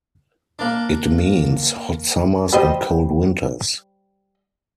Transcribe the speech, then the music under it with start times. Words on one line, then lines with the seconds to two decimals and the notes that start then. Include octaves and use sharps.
It means hot summers and cold winters.
0.59 A#3 D4
2.53 G3 C5 D#5